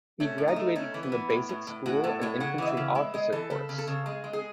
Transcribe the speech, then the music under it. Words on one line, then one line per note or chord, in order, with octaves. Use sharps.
He graduated from the Basic School and Infantry Officer Course.
A3 C#4
A2
D#4
A3
A3 C#4
E3
B3
E3
A2
A2
A2
A2 F#4
A2 A4
A2 C#5
C#3 F#5
E3 D#5
E5
C#3
G#3 E5
G#3 D#5
E3 A4
C#3 A4
C#3
A4
C#3
G#3 G#4
G#3
G#4